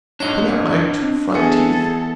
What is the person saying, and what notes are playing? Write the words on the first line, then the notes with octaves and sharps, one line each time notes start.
Pull out my two front teeth!
F2 G#2 D4 C#5 D#5 A#5
E2 G#4 A4 B4 C#7